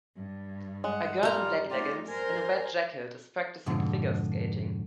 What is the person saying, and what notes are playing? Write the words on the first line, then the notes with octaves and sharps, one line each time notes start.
A girl in black leggings and a red jacket is practicing figure skating.
G2
G#3 F#5
G3 F4 A#4 A#5
A3 D#4 F4 G4 D5
A#4 C5 G#5
F2 G#2 B2 D3